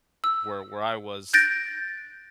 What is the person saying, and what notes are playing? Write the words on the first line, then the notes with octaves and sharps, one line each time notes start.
where where I was,
E6
F#6 G6 A6 A#6 D7